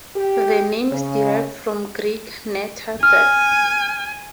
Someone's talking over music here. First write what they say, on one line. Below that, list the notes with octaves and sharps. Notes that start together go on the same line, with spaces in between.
The name is derived from Greek "Netta" "duck".
G4
C#3
G#5 F6